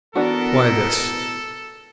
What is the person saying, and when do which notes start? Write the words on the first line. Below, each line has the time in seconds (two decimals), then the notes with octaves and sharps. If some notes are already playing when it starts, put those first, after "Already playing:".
"Why, this..."
0.15 E3 B3 D4 F#4 A4 A#4